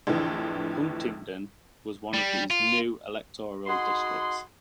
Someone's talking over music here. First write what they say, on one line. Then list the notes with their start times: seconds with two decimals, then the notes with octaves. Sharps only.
Huntingdon was one of those new electoral districts.
0.07 A#1 F2 A2 D3 E3
2.14 G3
2.51 F4
3.67 D#4 F#4 G#4 F#5 B5 C6